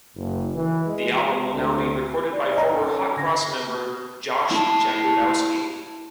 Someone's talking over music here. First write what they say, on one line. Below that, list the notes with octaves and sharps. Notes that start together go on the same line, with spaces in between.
The album will now be recorded by former Hot Cross member Josh Jakubowski.
F#1
E3
G#3
D2
D5
D#4 C#5 D#5 A#5
C#4 A4
D3 G#6 A#6
E4 A5